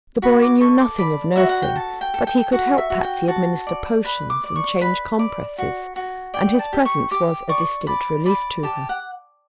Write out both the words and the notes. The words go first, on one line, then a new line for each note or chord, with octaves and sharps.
The boy knew nothing of nursing, but he could help Patsy administer potions and change compresses and his presence was a distinct relief to her.
F#4 B5
D6
A4 C#6
D6
D5 B5
F#4 E5
F#5
G5
A4 A5
G5
A4
G5
F#4 F#5
E5
F#4
G5
F#4 A5
D5
B4 B5
D6
D5
C#6
B4 B5
D5
F#4
F#4
D5 G5
A5
G4
C#6
G4 D6
D5 C#6
D5 B5
D5 B5
G4 A5
F#5